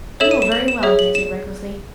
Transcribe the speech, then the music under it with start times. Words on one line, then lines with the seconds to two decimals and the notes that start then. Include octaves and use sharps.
"You know very well," he answered recklessly.
0.20 A4 C#5 E5 E7
0.31 D#7
0.42 E7
0.52 F#7
0.68 E7
0.83 G#4 C#5 E5
0.99 F#7
1.15 E7